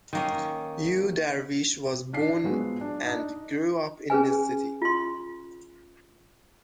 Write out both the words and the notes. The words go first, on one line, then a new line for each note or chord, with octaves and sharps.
Yu Darvish was born and grew up in this city.
D#3 A#3 C#4
D4 B6 C7
F3 F#3 G#3 B3
D4
D4 D#4
C#4 G#4 B4 G#5
F4 C6